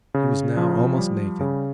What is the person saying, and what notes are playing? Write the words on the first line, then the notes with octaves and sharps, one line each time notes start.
He was now almost naked.
C#3
F3
G3
C#3